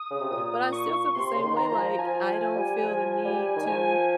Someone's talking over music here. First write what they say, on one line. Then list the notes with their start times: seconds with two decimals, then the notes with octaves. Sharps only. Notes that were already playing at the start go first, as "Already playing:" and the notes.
But I still feel the same way, like, I don't feel the need to
Already playing: D#6
0.11 C#3
0.20 C3
0.31 A#2 D#6
0.73 C#6
1.15 C3 C6
1.35 C#3
1.44 D#3
1.57 A#5
1.71 F3
1.99 F3 G#5
2.27 F3
2.55 G3
2.83 F3
3.25 G3
3.56 D#3
3.67 F3 G#5